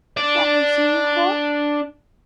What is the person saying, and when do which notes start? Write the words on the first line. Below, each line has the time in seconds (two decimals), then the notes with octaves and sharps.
Can I see you home?
0.17 D4 D5